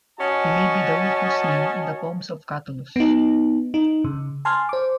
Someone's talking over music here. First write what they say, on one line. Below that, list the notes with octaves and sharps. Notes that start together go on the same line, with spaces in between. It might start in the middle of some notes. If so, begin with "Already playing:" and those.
He may be the Rufus named in the poems of Catullus.
C#4 F#4 C#5 D#5 A5
B3 D#4
D#4
C#3
G#5 A5 C6 F6
C5 D6